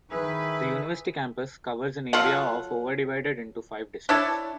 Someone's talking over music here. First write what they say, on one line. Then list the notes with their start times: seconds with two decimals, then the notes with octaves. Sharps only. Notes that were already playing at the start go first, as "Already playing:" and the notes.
The University campus covers an area of over divided into five districts.
0.11 D#3 E4 G#4 B4
2.13 F#3 F4 A4 F#5
4.09 D4 E4 C#5 A5